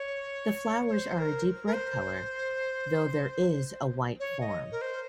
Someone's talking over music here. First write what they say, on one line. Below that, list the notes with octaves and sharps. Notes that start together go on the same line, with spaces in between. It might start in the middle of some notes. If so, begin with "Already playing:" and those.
The flowers are a deep red colour, though there is a white form.
Already playing: C#5
C#5
C5
A#4
A#4
C5
C#5
D#5
A#4
C5